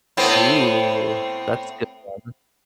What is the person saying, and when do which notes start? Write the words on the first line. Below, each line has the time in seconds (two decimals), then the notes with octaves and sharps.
Ooh, that's good one.
0.17 A2 B3 C4